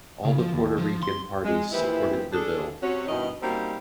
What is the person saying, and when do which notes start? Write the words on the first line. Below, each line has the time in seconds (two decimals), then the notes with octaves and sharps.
All the Puerto Rican parties supported the bill.
0.25 C#3
0.38 F3
0.53 D#2
0.78 F3
1.03 C6
1.43 G#3
1.71 D#2 E3 F3 E4 G4 B4
2.32 D4 G#4 A4
2.81 C3 C#4 F#4
3.07 G2 B2 D#3 D#4 E4 D#5
3.41 G3 A#3 C4 C#4 D#4 F#4